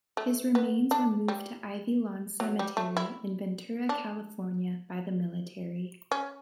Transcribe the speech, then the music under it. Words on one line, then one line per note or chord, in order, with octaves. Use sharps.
His remains were moved to Ivy Lawn Cemetery in Ventura, California by the military.
A3
B3
D4
G3
F#3
G3
A3
E4
D4
C#4